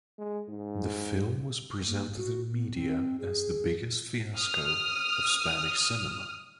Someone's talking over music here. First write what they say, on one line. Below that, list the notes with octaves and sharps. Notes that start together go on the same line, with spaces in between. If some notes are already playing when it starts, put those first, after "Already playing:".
The film was presented in media as "the biggest fiasco of Spanish cinema".
G#3
G#2
A#3
F#4
B3
C4
G#4
D#6 F6